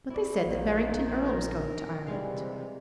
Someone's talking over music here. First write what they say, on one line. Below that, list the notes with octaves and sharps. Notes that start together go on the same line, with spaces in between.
"But they said that Barrington Erle was going to Ireland."
E4 F#4 D5
A#1 D#3 A#3
A#4
C3 E3 G3 G#3 F5